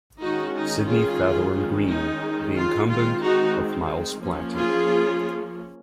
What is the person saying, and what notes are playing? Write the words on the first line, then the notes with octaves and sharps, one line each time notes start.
Sidney Faithorn Green, the incumbent of Miles Platting.
D#3 G#3 C#4 D#4 F#4
D#4
F4 G#4
D#3 G#3 C#4
D#4
F4
D#3 G#3 C4 F4
D#4 F#4
F3 A#3 C#4
F4 G#4